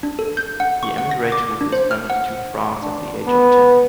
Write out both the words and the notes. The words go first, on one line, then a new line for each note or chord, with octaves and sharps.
He emigrated with his family to France at the age of ten.
D4
A4
G6
F#5
C#6
F#5
A#6
D6
D4
C5
F6
F#5
D4
B3